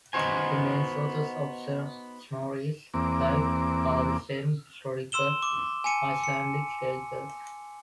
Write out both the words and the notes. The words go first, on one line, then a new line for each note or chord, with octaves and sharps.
The main sources of Snorri's life are the semi-historical Icelandic sagas.
B3 D#4 F#4 C5 G#5
E2 A#3 C4 D6
C6 E6 E7 G7
D6
G#5 A5 C#7 D#7
C#7